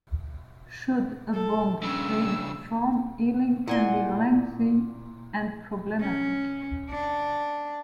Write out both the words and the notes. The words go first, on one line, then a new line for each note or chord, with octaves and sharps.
Should a bond fail to form, healing can be lengthy and problematic.
A4
G2 C#3 E6
A#2 E4 D5 F#5 G#5 C6
C#4
D4